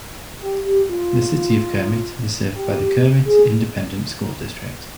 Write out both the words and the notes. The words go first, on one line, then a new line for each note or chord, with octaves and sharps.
The City of Kermit is served by the Kermit Independent School District.
G4
G4
F4
G4
G#4